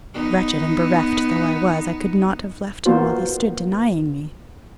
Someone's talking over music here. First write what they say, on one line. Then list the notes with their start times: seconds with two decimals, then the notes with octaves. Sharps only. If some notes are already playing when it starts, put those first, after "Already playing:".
Wretched and bereft though I was, I could not have left him while he stood denying me.
0.13 B3 D#4
2.86 A#3 B3 F4 F#4 C5